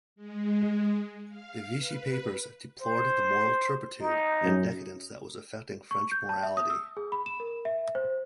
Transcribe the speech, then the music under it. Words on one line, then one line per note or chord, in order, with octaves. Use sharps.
The Vichy papers deplored the moral turpitude and decadence that was affecting French morality.
G#3
F5
B4
C5
D#4
F#2
C#6
G6
A5
E5
D#6
E6
G#4
B5
E7
A#4
E5
C5